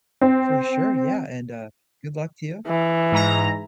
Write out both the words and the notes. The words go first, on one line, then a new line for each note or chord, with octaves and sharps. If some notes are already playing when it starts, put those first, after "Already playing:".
For sure, yeah and, uh, good luck to you.
C4
E3
G#2 A#5